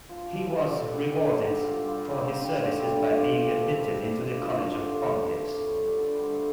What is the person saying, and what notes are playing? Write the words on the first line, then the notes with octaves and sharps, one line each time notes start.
He was rewarded for his services by being admitted into the college of pontiffs.
F3 F4
F3 G4
A2 A4
G3 D4
D3 C4
G3 C4
D3 C4
D3 D4
D3 C4
G3 D4
F4
G3
G4
G3 F4
G3
G3
D3
C4
G3 D4
D3 A3
G3 C4
G3 D4
C3 F4
A3 G4
F3 C4
C3 D4
G3 C4
C3
G3 D4
G3 F4
F3 F4
D3 F4
A3 F4
D3
A3 A4
F3 G4
A3
A2
G3
G3
D3 A4
G3 C5
A3 A4